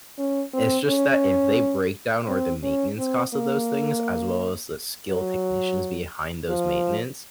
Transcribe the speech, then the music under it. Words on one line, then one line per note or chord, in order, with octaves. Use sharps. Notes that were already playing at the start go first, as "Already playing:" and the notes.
it's just that if they break down or the maintenance costs of those things, as well as the skilled technicians behind those maintenance,
C#4
C4
C#4
C4
C#4
C4
A#3
F#3
F3